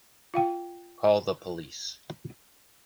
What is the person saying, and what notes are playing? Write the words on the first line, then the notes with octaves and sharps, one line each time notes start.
Call the police.
F4 F5 G5